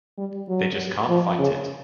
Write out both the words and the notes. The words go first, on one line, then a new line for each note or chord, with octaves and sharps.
They just can't fight it.
G3
F#3
F3
C#3